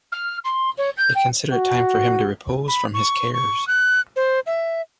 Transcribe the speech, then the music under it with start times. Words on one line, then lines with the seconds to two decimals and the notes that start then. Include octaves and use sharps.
They consider it time for him to repose from his cares.
0.12 F6
0.44 C6
0.77 C#5
0.97 G6
1.14 G5
1.52 F#4
2.68 B5
2.94 C#6
3.33 C#6
3.67 F#6
4.16 C5
4.46 E5